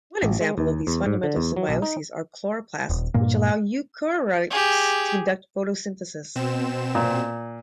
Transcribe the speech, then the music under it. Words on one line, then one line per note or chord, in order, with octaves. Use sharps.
One example of these fundamental symbioses are chloroplasts, which allow eukaryotes to conduct photosynthesis.
A1
G#3
D#2
E2
G#2
D3
E2
F#3
B1
D#4
D#1
G2 A#2 A#3
G4 G#4
B2 C4 E7
A#2